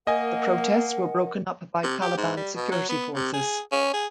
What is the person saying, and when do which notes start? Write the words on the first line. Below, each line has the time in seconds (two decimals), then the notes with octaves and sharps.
The protests were broken up by Taliban security forces.
0.07 A#3 A#4 D#5 F#5 G#5
1.83 C3
2.01 G4
2.17 G#2
2.37 G3
2.56 B2
2.71 F#3
2.89 B3
3.14 C3
3.33 G#4
3.72 C#4
3.94 G#4